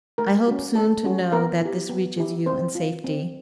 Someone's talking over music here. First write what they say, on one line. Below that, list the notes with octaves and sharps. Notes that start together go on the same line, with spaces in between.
I hope soon to know that this reaches you in safety.
A3 A#4
C#4 F#4
A3 A4
C#4 F#4
B3 A#4
E4 G4
B3
E4 G4
C4 C5
F4
C4